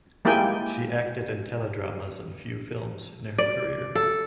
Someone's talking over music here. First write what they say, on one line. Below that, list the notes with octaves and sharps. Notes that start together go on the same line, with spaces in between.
She acted in teledramas and few films in her career.
G#3 A#3 E4 G4 G5 G#5
D5
A4